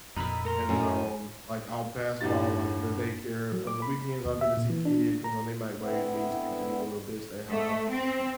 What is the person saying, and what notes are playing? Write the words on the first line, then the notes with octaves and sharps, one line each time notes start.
and then, um, like, I'll pass by, like, the daycare, if on the weekends I'll get to see kids, you know, they might wave to me, speak to me a little bit, say hi, you
F2 A#2 D#4 B5 E6
A3 A#4 A#5 C6
F#2 D#3 G#5
G1 E2 E3 D#4 G4 A6
F#3
D6
B5
D#2
E5
A#2
E3
D4
A#5
D3 B3 C4 E4
A3
C4